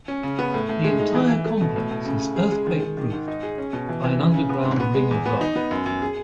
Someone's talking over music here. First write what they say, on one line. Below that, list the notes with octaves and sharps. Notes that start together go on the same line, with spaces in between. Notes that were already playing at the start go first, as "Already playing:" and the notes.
The entire complex is earthquake-proofed by an underground ring of rubber.
C#4
C#3
B3
A2
A2
G#3
D#4
E3
E3
A3
B2
A2
A2
C#3
C#3
G#4
G#3
D#3
D#3
D#3
G#2
D#4
G#4
C#4
B2
E3
E3
C#3
C#3
B3
G#2
B3
G#3
E2
B3
D#4
B3
F#2
F#2
G#4